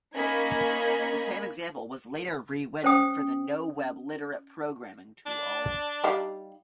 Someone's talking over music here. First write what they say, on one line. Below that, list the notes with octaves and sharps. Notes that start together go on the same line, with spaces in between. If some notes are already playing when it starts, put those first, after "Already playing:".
The same example was later rewritten for the noweb literate programming tool.
A#3 C#4 D#4 D#5 B5 G#6
C#4 C5 C#5 G5 D#6
D4
G3 D#4 F5